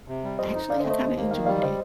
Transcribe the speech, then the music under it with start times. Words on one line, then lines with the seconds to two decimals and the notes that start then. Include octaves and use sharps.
actually, I kinda enjoyed it,
0.08 C3
0.24 G3
0.38 F2 C5 D#5
0.55 D#4
0.70 D3 D5 F5
0.80 C5 D#5
0.85 A3
0.90 C5 D#5
1.00 D#2
1.16 A#3
1.31 D#3 F5
1.39 D#5
1.45 G3 D5 F5
1.62 C5 D#5